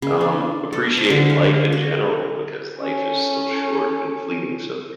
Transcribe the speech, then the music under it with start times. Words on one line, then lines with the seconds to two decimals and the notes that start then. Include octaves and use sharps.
um appreciate life in general because life is so short and fleeting, so
0.02 C#3
0.21 D4
0.73 A4
0.97 C5
1.10 D3
1.30 F5
1.72 F#4
2.81 C#4 A4